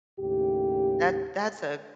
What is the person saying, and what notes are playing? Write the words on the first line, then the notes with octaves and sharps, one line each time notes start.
that that's a
D#2 A2 C#3 G4